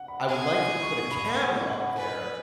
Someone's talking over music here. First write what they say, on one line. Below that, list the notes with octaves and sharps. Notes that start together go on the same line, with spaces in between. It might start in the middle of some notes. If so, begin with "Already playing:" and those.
I would like you to put a camera up there,
Already playing: F#5
B5
G#4 G#5
F#5
G#5
C#6
B5
F#5
G#5
F#5
B5
B4 G#5